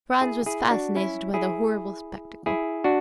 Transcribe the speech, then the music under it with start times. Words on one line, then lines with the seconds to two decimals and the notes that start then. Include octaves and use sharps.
Franz was fascinated by the horrible spectacle.
0.21 E4 G#4
0.46 E4 G#4
0.70 D4 F#4
0.95 C#4 E4
1.34 E4 G#4
2.46 E4 G#4
2.84 D4 F#4